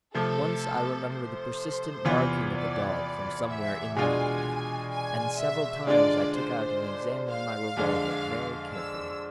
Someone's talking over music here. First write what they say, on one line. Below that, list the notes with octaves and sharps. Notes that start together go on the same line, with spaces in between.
Once I remember the persistent barking of a dog from somewhere inland of me, and several times I took out and examined my revolver very carefully.
C3 F3 A3 A4
C5
E2 C3 E3 B3 F4
D5
E5
B2 G#3 D4 F4 G#5
G#5
E5
D3 G#3 D4 F4 D5
C5
F5
F2 D3 G#3 D4
E6